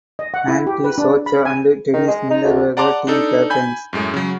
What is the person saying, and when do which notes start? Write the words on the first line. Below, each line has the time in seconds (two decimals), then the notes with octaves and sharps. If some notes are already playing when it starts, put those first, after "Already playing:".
Andy Socha and Dennis Miller were the team captains.
0.19 D#5
0.34 F#5
0.48 E4
0.67 G4
0.84 B4
0.98 D4
1.26 B5
1.45 G#5
1.94 D#3
2.08 G#3
2.30 D#4
2.44 D2
2.77 D5 F#5 A5 A#5 C6 D6
3.07 D4 D#4 A4
3.50 G#5 B5 G6
3.93 F#2 A2 G#3
4.14 C#3 F#3